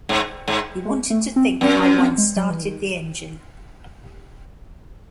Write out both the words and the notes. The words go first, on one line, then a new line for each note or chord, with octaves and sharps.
He wanted to think how one started the engine.
G#2
G#2
G#3
A3
C4
F#2 C4
C#4
C4
G#3
F#3
E3
D#3